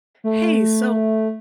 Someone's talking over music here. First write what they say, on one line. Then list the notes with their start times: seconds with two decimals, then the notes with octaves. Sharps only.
Hey, so,
0.24 A3